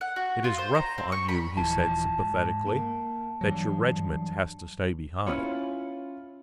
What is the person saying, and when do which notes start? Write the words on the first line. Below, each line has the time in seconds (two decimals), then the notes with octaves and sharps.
"It is rough on you," he said sympathetically, "that your regiment has to stay behind."
0.01 F#5
0.16 F#4
0.44 F4
0.58 C5
0.75 A#5
0.98 C4
1.12 C#6
1.29 B5
1.57 D#1 E3 F3 A5
2.18 G#2
2.67 A#3
3.41 G2 E3 F#3
5.27 C#4 E4 F4 B4 C#5 F#7